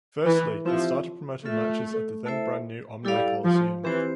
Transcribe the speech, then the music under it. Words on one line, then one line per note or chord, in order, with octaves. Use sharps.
Firstly, it started promoting matches at the then-brand-new Omni Coliseum.
E3
F3 C4 E4 G4 C5 E5
A3 F4 A4 E5
A3 E4 A4 C5 E5
G3 E4 A4 D5 F5
F3
E3 C4 G4 C5